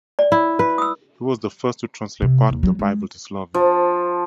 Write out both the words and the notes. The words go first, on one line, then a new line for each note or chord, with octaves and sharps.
He was the first to translate parts of the Bible to Slovene.
D5
E4
B4
D#6 E6
C3
D#2
F#3
G#3
F3